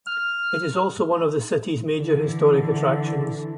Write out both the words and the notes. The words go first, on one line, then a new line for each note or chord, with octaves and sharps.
It is also one of the city's major historic attractions.
F6
D3 E3